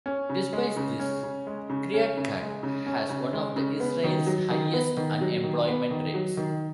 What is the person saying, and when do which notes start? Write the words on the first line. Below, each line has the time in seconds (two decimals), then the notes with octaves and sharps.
Despite this, Kiryat Gat has one of Israel's highest unemployment rates.
0.06 C#4
0.29 C#3
0.53 G#3
0.77 C#3
1.00 C#4
1.23 C#3
1.47 G#3
1.70 C#3
1.94 C#4
2.17 C#3
2.40 G#3
2.63 C#3
2.86 C#4
3.10 C#3
3.33 G#3
3.56 C#3
3.80 B3
4.04 D#3
4.26 F#3
4.50 D#3
4.73 B3
4.97 D#3
5.21 F#3
5.43 D#3
5.67 B3
5.91 D#3
6.14 F#3
6.37 D#3